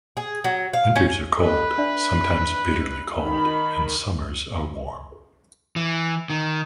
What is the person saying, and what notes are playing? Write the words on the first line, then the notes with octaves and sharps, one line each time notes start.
Winters are cold, sometimes bitterly cold, and summers are warm.
G#4
F#3
F5
C#4
A4 B4 D#5
D4 D5 E5
D#3 B5
E3
D#3